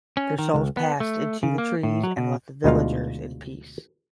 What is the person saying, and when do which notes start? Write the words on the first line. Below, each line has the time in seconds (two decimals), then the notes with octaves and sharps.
Their souls passed into the trees and left the villagers in peace.
0.17 C#4
0.39 D#3
0.54 C#2
0.77 B3
1.00 A3
1.43 C#3
1.58 A#3
1.83 A2
2.03 F#3
2.17 B2
2.64 D2 B2 G#3 D#4 F4 F5